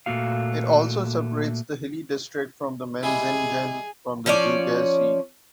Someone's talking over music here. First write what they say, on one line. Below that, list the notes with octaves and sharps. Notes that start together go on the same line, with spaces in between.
It also separates the hilly district of Menzingen from the Zugersee.
A#2 A3 A#3 F#4 F5
G3 G#3 E4 G#4
F3 C#4 C#5 D5